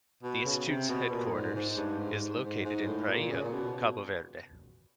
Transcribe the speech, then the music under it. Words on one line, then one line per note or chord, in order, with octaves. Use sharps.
The Institute's headquarters is located in Praia, Cabo Verde.
B2
C#3
C3
B2
A#2
G#2
G#2
G2
G#2
G#2
G#2
A2
A#2
C#3
A#2
B2